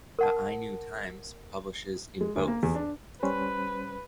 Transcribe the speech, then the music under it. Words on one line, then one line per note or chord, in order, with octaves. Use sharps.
The "Ainu Times" publishes in both.
A#4 F#5 A5
G#3
D2
A#3
E2
D4
G3 C#4 B4 C5